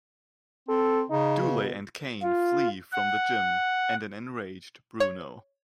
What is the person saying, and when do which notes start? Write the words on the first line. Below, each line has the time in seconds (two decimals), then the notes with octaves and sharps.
Dooley and Kane flee from the gym and an enraged Bruno.
0.69 C4 A4
1.10 C#3 D#4
1.41 B2
2.23 F4
2.92 F#5
5.00 C#5